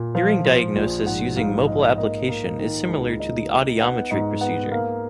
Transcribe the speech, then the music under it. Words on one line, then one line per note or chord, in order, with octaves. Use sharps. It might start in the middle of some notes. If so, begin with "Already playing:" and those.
Hearing diagnosis using mobile application is similar to the audiometry procedure.
Already playing: A#2
F3 F5
F3
A#1
G#2 F#5
G#2 F5
G#2 D#5
A#3 D#5
A#3
D#3
C#2
D#4
D#4
B3 F#5
G#2 D#5
B3 F#5
A#3 F5